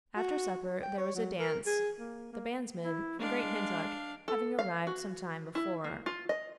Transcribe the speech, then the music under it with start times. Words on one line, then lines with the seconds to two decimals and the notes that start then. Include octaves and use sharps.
After supper there was a dance, the bandsmen from Great Hintock having arrived some time before.
0.17 F#4
0.83 G5
0.98 C#5
1.15 F#3
1.40 A#4
1.66 G#4
1.99 A#3
2.33 A#3
2.83 E4
3.19 G#3 D4 F5
4.28 A4
4.59 F5
4.87 F#4
5.55 E4
5.84 A#3
6.06 F4
6.29 D#5